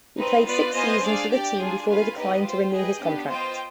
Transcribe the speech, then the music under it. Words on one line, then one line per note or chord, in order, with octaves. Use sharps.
He played six seasons with the team before they declined to renew his contract.
C4 D#4 B4
B3 F4 B4 D5
B3 F4 C5 D#5 G#5
D4 G#4 D5 F5
G4 D5 G5
D4 F4 G#4
F4 B4 F5 G#5
B3 D#4 G4 B4 D#5
F4 C5 G5
G#4 B4 D#5 G5
B3 D4 G4
F4 C5 D#5 G5